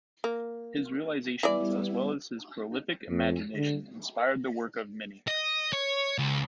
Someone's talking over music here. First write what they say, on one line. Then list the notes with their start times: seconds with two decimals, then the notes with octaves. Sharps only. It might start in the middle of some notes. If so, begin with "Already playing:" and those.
His realizations as well as his prolific imagination inspired the work of many.
0.24 A#3
1.43 E3 G3 B3 E4 D5
3.09 F2
3.55 D3
5.28 D#5
5.73 C#5
6.18 C#2